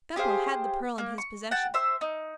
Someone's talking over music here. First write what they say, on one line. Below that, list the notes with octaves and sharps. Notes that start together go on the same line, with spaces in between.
Beppo had the pearl in his possession.
G4 G#4 C5 F5
A#3
C#6
F#5 G5 A5
C5 E5 E6
D#4